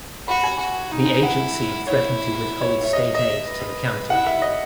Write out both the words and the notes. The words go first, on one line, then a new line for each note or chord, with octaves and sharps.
The agency threatened to withhold state aid to the county.
F#4 B5
G#5
F#4
D#4
E4 F#5
E4 C#5
C#5
C#5 E5
D#5
D#5 E5
B4
E4 F#5
E5
D#5